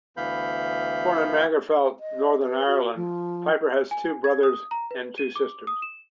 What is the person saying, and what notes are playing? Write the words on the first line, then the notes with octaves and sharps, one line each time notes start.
Born in Magherafelt, Northern Ireland, Pyper has two brothers and two sisters.
D2 E3 B3 F5 B5 G6
D#5
B4
F#4
F3
G#5
G#6
D#6
A#5
B4
D#7
D6
D#6
E7